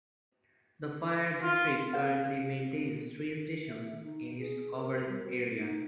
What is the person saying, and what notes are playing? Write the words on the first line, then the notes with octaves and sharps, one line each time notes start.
The fire district currently maintains three stations in its coverage area.
F4
G#4 C5 F5
E5
D#3
D#4
G#4
A#4
G3
F#4
D#4